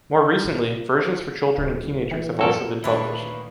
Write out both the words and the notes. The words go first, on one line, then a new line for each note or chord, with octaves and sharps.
More recently, versions for children and teenagers have also been published.
D1
E3
F#2 A#2 F3 F#4 A4 A#4
D2 A#2 D#3 D4 E4 B4 C#5